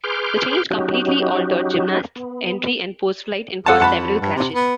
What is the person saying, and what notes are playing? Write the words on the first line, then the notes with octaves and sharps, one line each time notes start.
The change completely altered gymnasts' entry and postflight and caused several crashes.
G#4 B4 C6 D6 F6 G6
F#3 C#4 D#4 F#4 G4
B3
F2 A4 F#5 A5
F#5 A5 B5
G2
C3
B3